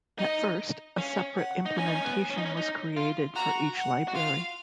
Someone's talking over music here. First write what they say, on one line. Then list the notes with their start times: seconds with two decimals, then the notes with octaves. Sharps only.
At first a separate implementation was created for each library.
0.19 D#4 D#5
0.98 C#4 F5
1.38 F#5
1.66 D#4
1.77 C#4 G#5
1.87 D#4
1.95 C#4
2.04 B3
2.30 C#4
2.38 D#4
2.45 C#4
2.57 D#4
2.96 F4
3.36 F#4 A#5
3.76 F#5
4.08 F#4
4.15 F4 F5